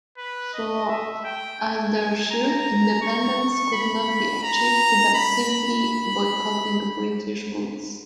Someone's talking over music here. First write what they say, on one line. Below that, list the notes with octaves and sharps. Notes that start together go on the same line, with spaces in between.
For Ardeshir, independence could not be achieved by simply boycotting British goods.
B4
D#5
E5
G5
G#5
G#5
A#5
C#6
B5
A#5
B5
B5